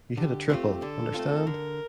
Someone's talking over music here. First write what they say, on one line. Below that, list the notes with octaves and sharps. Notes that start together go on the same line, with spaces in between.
You hit a triple, understand?
D3 G4
A3 C4 F4 G4
D3 A4
A3 C4 F4
D3 A#4